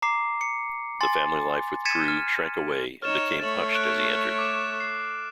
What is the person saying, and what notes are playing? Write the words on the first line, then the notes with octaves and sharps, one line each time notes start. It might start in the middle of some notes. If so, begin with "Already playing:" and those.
The family life withdrew, shrank away, and became hushed as he entered.
A#5 D6 C7
C#7
G#5 C6 A6
G#6 A6 B6 C#7 D#7 E7
F6
D#4 C#5 F6 A6 E7
A3 C#5 A6 F#7
F#6 D7
D6 E7
C7